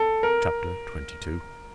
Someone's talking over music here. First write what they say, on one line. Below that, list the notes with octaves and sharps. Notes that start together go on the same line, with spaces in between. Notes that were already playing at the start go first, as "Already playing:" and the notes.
Chapter XXII.
Already playing: A4
A#4